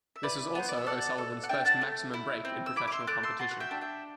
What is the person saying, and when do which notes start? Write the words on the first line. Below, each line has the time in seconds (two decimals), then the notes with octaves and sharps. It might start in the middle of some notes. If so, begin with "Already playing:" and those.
This was also O'Sullivan's first maximum break in professional competition.
0.16 E5
0.23 E4 B4 D5
0.55 B3 C5
0.69 D5
0.78 E5
0.86 A4 D5 F#5
1.18 A4
1.43 F#5
1.49 D4 E5 G5
1.65 F#5 A5
1.81 A3
2.14 E4
2.45 C4
2.66 E6
2.76 E4 B5 D6
2.88 D6
2.92 C6 E6
3.07 A3 D6 F#6
3.23 C6 E6
3.39 F#4 A5 C6
3.51 F#5
3.60 E5 G5
3.71 D4
3.81 E5 G5